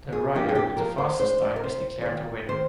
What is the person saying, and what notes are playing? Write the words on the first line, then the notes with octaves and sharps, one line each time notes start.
The rider with the fastest time is declared the winner.
G#4
F3 A#3 D4 G4
G#4
G4
F3 A#4
C5
G#3 D4 C5
D5
A#4
C3 C5
C5
D#3 A#3 D5
D#3 C5